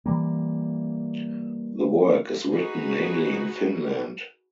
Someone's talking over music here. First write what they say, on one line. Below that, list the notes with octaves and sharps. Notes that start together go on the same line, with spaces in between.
The work is written mainly in Finland.
E3 G3 A#3
D#4 F#4 G#4 B4